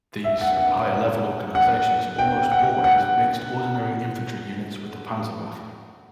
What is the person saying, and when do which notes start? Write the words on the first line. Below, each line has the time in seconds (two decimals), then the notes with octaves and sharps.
These higher-level organizations almost always mixed ordinary infantry units with the "Panzerwaffe".
0.24 E5
0.41 F#5
0.57 F#5
1.55 F#5
2.19 G5
2.52 F#5
2.84 F#5